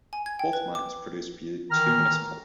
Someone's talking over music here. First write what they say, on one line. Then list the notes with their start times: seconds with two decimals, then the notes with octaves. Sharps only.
Both mines produce bituminous coal.
0.13 G#5
0.26 G#6
0.39 G5
0.53 B4
0.75 D6
1.70 D#3 E3 A#4 A#5 F6